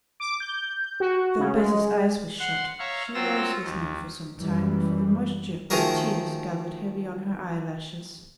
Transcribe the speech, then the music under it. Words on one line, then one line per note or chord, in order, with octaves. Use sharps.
Though Bessy's eyes were shut, she was listening for some time, for the moisture of tears gathered heavy on her eyelashes.
D6
G6
F#4
C#3
G#3
F#5 C6
C#5 E5 F5 A#5 C#6
F#3 C4 F4 E6 A#6
D#2
F#2 E3 G3
D#3 F3 A3 F#4 G#4 A#4